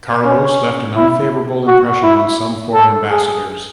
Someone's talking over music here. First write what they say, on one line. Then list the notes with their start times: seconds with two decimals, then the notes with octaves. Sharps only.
Carlos left an unfavourable impression on some foreign ambassadors.
0.25 C#4
0.96 E4
1.67 F#4
2.03 E4
2.74 A4
3.11 G#4